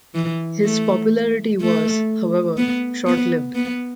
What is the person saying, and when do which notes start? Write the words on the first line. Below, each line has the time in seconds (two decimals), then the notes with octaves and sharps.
His popularity was, however, short-lived.
0.15 E3
0.64 A3
1.61 A3
2.57 B3
3.07 B3
3.55 B3